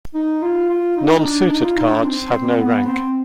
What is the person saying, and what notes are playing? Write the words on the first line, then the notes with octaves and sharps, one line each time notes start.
Non-suited cards have no rank.
D#4
F4
F4
D#4
D4
D#4
F4
D#4
D4
C4
B3
C4